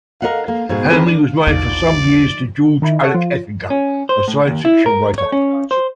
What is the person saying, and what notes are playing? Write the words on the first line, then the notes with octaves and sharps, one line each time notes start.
Hambly was married for some years to George Alec Effinger, a science fiction writer.
A#4 D#5 F5 F#5
A#3
G#2 B2 G#3
D#3 C4 G#4 A#4 B4
D4
A#1 E2 D#4 D5
D#3 D#4 E4
A4 C#5 F#5
F3 F4
C#4
C5
A2
D#2
E4
A#4
C#5
C#4
C5